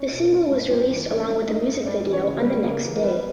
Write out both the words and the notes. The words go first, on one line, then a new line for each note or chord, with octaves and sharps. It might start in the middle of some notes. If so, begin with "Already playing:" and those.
The single was released along with the music video on the next day.
Already playing: C#4 C#5
B2
A#4
G2 B3 B4
G2
G2 C4 C5
E3
G2 C#4 C#5
G2
G2 D#4 D#5
G2
G3 D4 D5
E3
C#4 C#5
C#3
B3 B4
G3
C#3 A#3 A#4
E3
A#4
G3 B3 B4